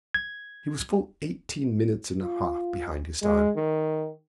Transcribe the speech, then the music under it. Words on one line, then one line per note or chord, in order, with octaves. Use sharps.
He was full eighteen minutes and a half behind his time.
G#6
F4
G#3
D#3